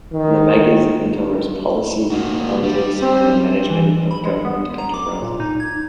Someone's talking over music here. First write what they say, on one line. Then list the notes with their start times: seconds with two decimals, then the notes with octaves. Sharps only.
The magazine covers policy, politics and the management of government enterprises.
0.13 D#3
2.10 A#3 F#4
2.63 G3
3.02 C4
3.70 E3
4.11 B5
4.25 G#3
4.45 B3
4.78 A#5
4.94 D6
5.22 A#2
5.40 D#4
5.60 G#6